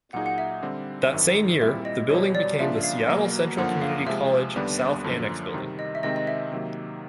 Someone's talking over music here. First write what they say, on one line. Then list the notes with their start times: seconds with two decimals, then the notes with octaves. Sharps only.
That same year, the building became the Seattle Central Community College south annex building.
0.13 A#2 F#3 A#3 D#4 G#4 F#5
0.26 F#5
0.38 E5
0.62 D3 G3 C4
1.12 G#1 F#2 D#3
1.61 A#2 G3 C4 E4 E5
1.85 D#5
2.09 E2 B2 G3 C#5
2.35 D5
2.59 C#3 F3 A#3 D4 F4 E5
2.83 F5
3.08 B2 F#3 A#3
3.57 G1 F#2 D3 F3 A#3 F#5
3.82 F5
4.06 C3 F3 G#3 E5
4.56 D#2 D3 G3 B3 D4
5.04 F#2 D3 F3 A#3
5.54 C3 D#3 G3
5.79 D#5
5.95 E5
6.03 C3 D#3 G#3 C4 D#5
6.16 D#5
6.27 E5
6.52 C3 D#3 F#3 A#3